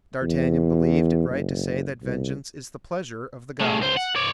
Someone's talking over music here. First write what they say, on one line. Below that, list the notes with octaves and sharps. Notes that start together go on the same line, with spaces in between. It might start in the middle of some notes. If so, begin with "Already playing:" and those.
D'Artagnan believed it right to say that vengeance is the pleasure of the gods.
E2
F#1
C2
A3 G#4
C#2 C5
F#5
C#5 D5